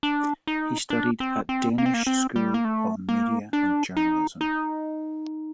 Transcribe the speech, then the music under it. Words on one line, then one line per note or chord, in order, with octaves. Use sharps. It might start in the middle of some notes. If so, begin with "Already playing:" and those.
He studied at Danish School of Media and Journalism.
D4
D#4
D4
C4
C4
A#3
C4
A#3
C4
G3
A#3
A3
A#3
D4
D#4
D#4